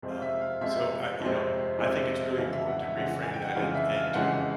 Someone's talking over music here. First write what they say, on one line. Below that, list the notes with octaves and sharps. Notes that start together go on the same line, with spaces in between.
Um, so, uh, you know, I think it's really important to reframe that and and to
F2 C3 F3 G#3 C4
F5
E5
F5
F2 C3 F3 G#3 C4 E5
F2 C3 F3 G#3 C4
F2 C3 F3 G#3 C4
F2 C#3 E3 G#3 F5
E5
F#5
E5
F2 C#3 E3 G#3 F#5
G#5
G5
F#5
F2 C#3 E3 G#3 F5
E5
F5
F2 C#3 E3 G#3 F#5